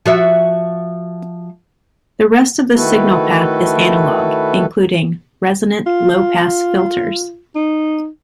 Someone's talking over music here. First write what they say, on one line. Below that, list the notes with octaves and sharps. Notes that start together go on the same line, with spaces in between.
The rest of the signal path is analog, including resonant low-pass filters.
F3 F#4 E5
D#3 A3 E4 F#4 A4 B4
F4
D#4